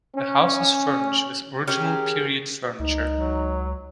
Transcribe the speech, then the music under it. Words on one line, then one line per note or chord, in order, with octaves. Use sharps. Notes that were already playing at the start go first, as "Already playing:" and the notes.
The house is furnished with original period furniture.
C#4
C#4 G4 G#4 A#4
C#2 D#4
F#3